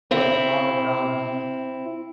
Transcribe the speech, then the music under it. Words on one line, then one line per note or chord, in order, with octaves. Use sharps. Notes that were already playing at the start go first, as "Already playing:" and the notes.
put a pound of ground beef
C4 E4